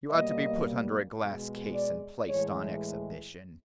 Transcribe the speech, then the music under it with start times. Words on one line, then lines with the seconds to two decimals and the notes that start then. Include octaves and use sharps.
"You ought to be put under a glass case and placed on exhibition."
0.10 B2 G3 A#3 D#5
1.19 B2 G#3
1.74 D5
2.28 A2 E3 G#3 C#5